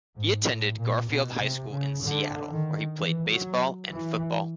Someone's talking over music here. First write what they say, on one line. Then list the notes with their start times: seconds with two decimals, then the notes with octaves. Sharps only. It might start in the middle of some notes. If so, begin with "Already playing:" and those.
He attended Garfield High School in Seattle where he played baseball and football.
0.16 G#2
0.47 A2
0.78 A#2
1.10 B2
1.41 C3
1.72 C#3
2.04 D3
2.50 D#3
2.97 E3
3.27 F#3
3.90 E3